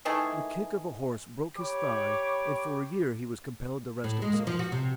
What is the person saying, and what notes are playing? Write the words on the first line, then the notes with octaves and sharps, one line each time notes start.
The kick of a horse broke his thigh, and for a year he was compelled to rest himself.
D#3 E3 A3 G#4
G4 C#5 B5 D6
A2
G#3
A#3
F3
F#4
C3